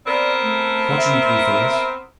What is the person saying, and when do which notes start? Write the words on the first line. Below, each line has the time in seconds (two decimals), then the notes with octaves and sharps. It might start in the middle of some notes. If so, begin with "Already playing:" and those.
"Fortunately for us."
0.06 B3 C4 A#4 D5
0.42 A3
0.96 E5